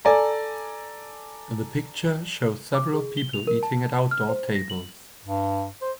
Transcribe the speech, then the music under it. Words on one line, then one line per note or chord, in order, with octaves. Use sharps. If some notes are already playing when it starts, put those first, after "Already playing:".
The picture shows several people eating at outdoor tables.
A4 D5 G#5 A#5
D6
G#4
G7
F7
A#4
A5
F6
C5
A#6
F#7
G2
C5